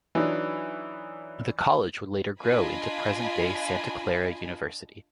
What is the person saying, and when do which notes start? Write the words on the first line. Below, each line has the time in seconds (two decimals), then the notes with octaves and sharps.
The College would later grow into present-day Santa Clara University.
0.15 E3 F#3 D4 D#4
2.40 D4 F4 D#5 G#5 B5